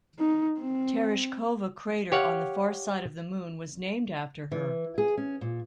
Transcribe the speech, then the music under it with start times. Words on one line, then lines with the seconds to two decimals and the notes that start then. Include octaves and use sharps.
Tereshkova crater on the far side of the Moon was named after her.
0.19 D#4
0.59 C4
2.12 G4 C#5 F5 F#5
4.52 E3
4.98 G#4
5.17 C#4
5.41 A#2